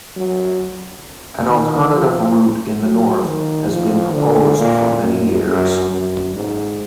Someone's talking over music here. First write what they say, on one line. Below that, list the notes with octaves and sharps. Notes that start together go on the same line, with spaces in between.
An alternative route in the north has been proposed for many years.
F#3
D#3
F3
F#3
D#3
F3
D3
A#2
F#2
F#2
F#2
G#2